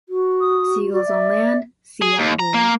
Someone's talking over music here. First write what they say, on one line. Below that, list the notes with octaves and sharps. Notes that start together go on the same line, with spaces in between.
Seagulls on lands, sea at war.
F#4
D#6
F#4 D5
E5
G#4
D#2
A#5
A#3